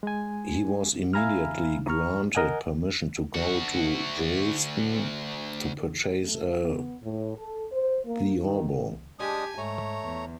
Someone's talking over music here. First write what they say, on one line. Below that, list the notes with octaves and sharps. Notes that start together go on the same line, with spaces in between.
He was immediately granted permission to go to Dresden to purchase a theorbo.
G#3 G#5
E5 F5 G#5 A#5 B5 F6
A#5 C#6 F6
A#4 D#5 F#5 G#5
D2 F#4
A3
B3
A2
A4
C5
A#3
D#3
G#3 D4 G4 G#5 A5 D#6
G#2 A3 C#5 A#5
E2